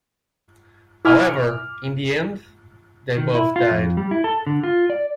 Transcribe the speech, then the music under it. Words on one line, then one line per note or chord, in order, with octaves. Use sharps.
However, in the end, they both died.
E4 G#5 D6 F6
D#3
E4
F4
F2
G3
E4
A4
D3
F4
D5